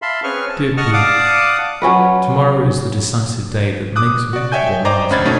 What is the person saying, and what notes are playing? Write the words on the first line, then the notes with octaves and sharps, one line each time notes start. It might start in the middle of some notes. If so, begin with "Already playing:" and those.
Dear P----, To-morrow is the decisive day that makes me or mars me.
E5 F5 A5 B5 C6
C4 C#4 G#4 B4 C#6 F6
A5
D#5 F#5 A5 C#6 D#6 F6
D5 F5 F#5 A5 D6 D#6
F#3 C#4 F#4 B4
D6 D#6 F#6
F#4 D5
C#5 D#5 E5 G5 G#5 G6
C5 D5 D#5 G5 A#5 D6
D2 C#4 C5 B5 G#6 A6
B2 A3 C#4 D#4